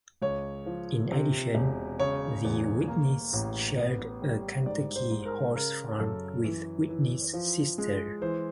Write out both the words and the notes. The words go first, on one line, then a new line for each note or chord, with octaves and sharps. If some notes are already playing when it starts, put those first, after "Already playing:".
In addition, the Whitneys shared a Kentucky horse farm with Whitney's sister.
C#2 C#5
F3
C3
E1
C#3 C#5
E2
A#3
A1
B3
G3
G#2 D5
C5
G#2
A#4
C#3 A#4
F#2 A4
E3
E3
F3
G#3
E3 C5